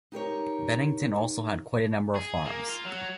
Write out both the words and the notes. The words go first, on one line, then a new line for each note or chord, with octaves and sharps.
Bennington also had quite a number of farms.
D#4 G4 A#4 C#5
G#4
A#3
F4
F#3